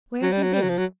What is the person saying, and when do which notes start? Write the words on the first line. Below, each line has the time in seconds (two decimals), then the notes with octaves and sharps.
Where have you been?'
0.22 F#3
0.32 G3
0.42 F#3
0.53 G3
0.62 F#3
0.69 F3
0.78 F#3